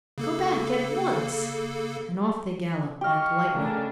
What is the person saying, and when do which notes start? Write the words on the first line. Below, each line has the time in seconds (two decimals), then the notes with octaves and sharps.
Go back at once!' and off they galloped like lightning.
0.18 C#3 A#3 A4
3.01 G4 D#5 F5 G5 C#6 F6
3.54 C#3 A3 C#4 D4 A#4